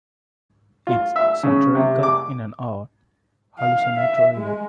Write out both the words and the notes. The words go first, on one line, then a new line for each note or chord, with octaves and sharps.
It's satirical in an odd, hallucinatory way.
F4
E5
C#3
C3
D6
F5
E5
G#3